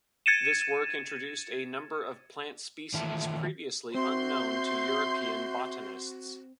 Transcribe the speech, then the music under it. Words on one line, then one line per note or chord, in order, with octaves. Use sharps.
This work introduced a number of plant species previously unknown to European botanists.
G#6 A6 C#7 D#7 E7
D#3 E3 A3 F4 E5 A5
C4 F#4 E5 C6 G6